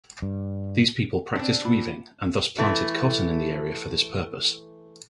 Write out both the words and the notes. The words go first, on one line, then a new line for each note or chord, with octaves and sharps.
These people practiced weaving and thus planted cotton in the area for this purpose.
G2
C4 D4
A#3 F4 B5
E3 A3